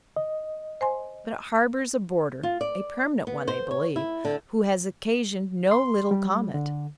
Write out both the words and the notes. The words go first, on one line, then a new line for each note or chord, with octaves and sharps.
But it harbours a boarder, a permanent one, I believe, who has occasioned no little comment.
D#5
C5 G#5 C6
F4
D5
B3
C5
C#5
E4
D3
C6
G3
D3